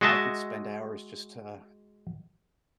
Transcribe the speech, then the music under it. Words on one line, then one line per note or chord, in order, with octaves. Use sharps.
I could spend hours just, uh,
G#3 F#4 D#5 E5 A5